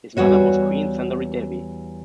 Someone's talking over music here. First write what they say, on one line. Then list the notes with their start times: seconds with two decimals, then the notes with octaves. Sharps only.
His mother was queen Sundari-Devi.
0.17 E2 G3 F#4 C#5